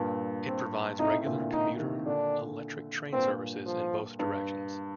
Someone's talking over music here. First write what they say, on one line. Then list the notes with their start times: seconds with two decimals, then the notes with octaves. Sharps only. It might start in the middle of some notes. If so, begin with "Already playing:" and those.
It provides regular commuter electric train services in both directions.
Already playing: G2 A#2
0.46 C4
0.99 A2 C3 D#4
1.26 A#2 D3
1.53 D#4
1.79 C3 D#3
2.06 A#2 D3 D4
3.12 G2 A#2 C4
3.66 F3
4.19 G2